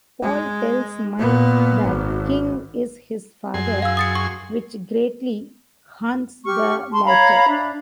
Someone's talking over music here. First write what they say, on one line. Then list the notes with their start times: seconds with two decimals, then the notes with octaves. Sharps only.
Paul tells Mike that King is his father, which greatly haunts the latter.
0.22 G#3
1.19 A#2 B3
1.83 G#1
3.54 F#2 G#4 C6
3.82 F5 E6
3.97 D#6 A6 C#7
4.15 C#6
6.45 G4 C#6 F6
6.92 A5 C6 C#6
7.06 C#5 F5 A#5 B5
7.48 D4 E5